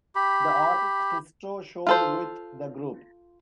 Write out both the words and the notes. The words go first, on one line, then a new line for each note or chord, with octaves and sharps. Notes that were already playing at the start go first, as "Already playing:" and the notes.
The artist Christo showed with the group.
G4 B5
F4 A4 C5